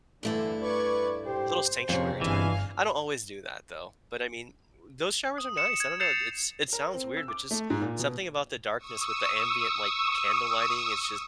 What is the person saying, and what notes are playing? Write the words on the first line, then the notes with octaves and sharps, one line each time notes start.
little sanctuary time. I don't always do that, though, but, I mean, those showers are nice. I don't know. It's it sounds weird, but just something about the darkness with the ambient, like, candle lighting, it's just
G2 D3 E3 A3 E4
B4 D5 C#6 G#6
G4 C5
F2 C3 G#3 C#4
G1 E3 D4 F5 G#5
D#6
C#7 E7
G#6
G6 A6 C7 C#7 E7 F7
A#4
C4
E6
D6
A3
G#2
A#2
B2
C#6 D#6 E6